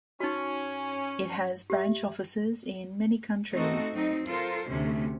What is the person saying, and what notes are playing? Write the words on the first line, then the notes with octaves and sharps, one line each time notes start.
It has branch offices in many countries.
C#4 D#4 F#4
G4 E5
A3 C4 D#4 F#4 A4
F#3 C4 D#4
F4 A4 A#4 C5
D2 C3 A3 C#4